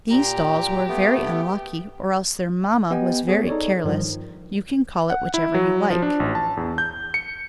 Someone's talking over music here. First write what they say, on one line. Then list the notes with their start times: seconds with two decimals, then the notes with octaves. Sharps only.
These dolls were very unlucky, or else their mamma was very careless; you can call it whichever you like.
0.11 A#2 G4 A#5
0.89 A3 B3
2.91 B3 G4 D#5 G5 G#5
3.27 B3 G#4 C#5
3.47 D#4 A4 C#5 D5
3.84 G2 D#3 F3 G3
5.10 F#5
5.34 E4
5.54 F#3
5.90 F3
6.02 D4
6.20 A1
6.35 A5
6.57 E2
6.78 G6
7.14 C#7